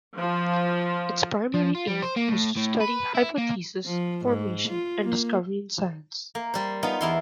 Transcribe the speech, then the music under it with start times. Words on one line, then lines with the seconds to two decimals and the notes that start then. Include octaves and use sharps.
Its primary aim was to study hypothesis formation and discovery in science.
0.18 F3
1.54 F3
1.75 F4
1.87 G3
2.03 C5
2.17 A#3
2.29 A2
2.57 A2
2.81 B4
3.15 E4
3.38 A#3
3.86 F3
4.26 G#2
4.69 F4
5.03 A#3
6.35 A#3
6.54 G3 C5
6.83 B3 D#4 F4
7.01 E2 E4 C6